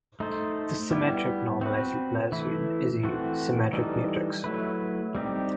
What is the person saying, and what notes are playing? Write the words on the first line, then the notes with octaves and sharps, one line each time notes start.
The symmetric normalized Laplacian is a symmetric matrix.
A3 D#4 A4 C5
G3 B3 E4 G4
C4 F#4 B4
E3 A3 E4
E3 A3 C4 F#4
E3 G3 D#4 A4
F#3 A3 E4 B4
G3 C4 D#4 G4